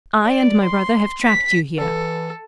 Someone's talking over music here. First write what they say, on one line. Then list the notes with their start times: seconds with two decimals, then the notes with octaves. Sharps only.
I and my brother have tracked you here.
0.24 D5
0.64 C6
1.24 B6
1.78 E3 A4